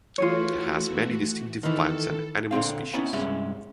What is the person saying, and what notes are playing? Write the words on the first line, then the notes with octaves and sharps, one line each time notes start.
It has many distinctive plant and animal species.
E3 A3 F4 F#4 G#4 C#5
D#3 E3 A4
A#2 D3 C4 F5
B3 C#4 D#4 E4 F#5
C2 G2 G#3 C#4 E5